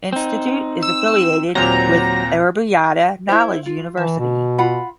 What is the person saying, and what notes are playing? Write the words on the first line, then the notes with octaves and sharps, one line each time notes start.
Institute is affiliated with Aryabhatta Knowledge University.
C4 D#4
E6
D#2 A#2 F#3 C4 A#5
E4 C5
F4
E3 A5
B2
F4 F#5 B5